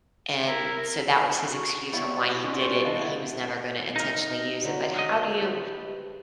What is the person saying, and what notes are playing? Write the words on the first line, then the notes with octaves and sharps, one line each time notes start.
And, so that was his excuse on why he did it and that he was never gonna intentionally use it, but how do you
E4 A#4
F#4
G3 B3 E4 C#5 F5
C#4 D#4 F4 F#4 B4 D5
G3 C#4 G4 A4 C5 D5
D#3 D4 E4 D#5 F5 A5
A3 B3 E4 B4
D#4 A4 A#4
D3 F#3 B4
D#5
G4 B4 C5